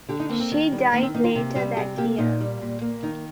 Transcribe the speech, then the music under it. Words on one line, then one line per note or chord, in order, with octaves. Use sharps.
She died later that year.
D3 G4
D#4
A#3 C4
C4
D#3
G3
D#3 A#3
C4
A#3 D#4
F4
C3
G3 G4
C3 G#4
A#3 G4
A#2 D#4
G3
A#2
A#3
D#3 D#4